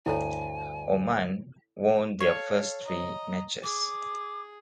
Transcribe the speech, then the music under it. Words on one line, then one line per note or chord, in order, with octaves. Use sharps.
Oman won their first three matches.
D2 G2 E4 A4 C#5 G#5
A4 C#5 F5
D#5 A#5
G#4 D6